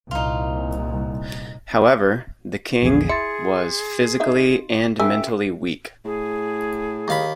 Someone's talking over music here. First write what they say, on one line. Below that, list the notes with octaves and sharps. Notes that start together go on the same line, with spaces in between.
However, the king was physically and mentally weak.
C2 A#2 D#4 F4
A#1 E2 G#4
E4 C6 A6 C#7
D#4 E5 F5
C#3 A#4 E5 G5 G#5 E6
A2 G#4
D#2 F5 B5